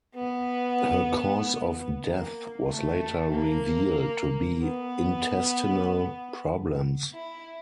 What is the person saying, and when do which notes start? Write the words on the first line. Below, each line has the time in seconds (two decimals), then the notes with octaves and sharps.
Her cause of death was later revealed to be intestinal problems.
0.15 B3
2.05 A#3
2.69 A3
3.32 A#3
4.59 B3
7.13 E4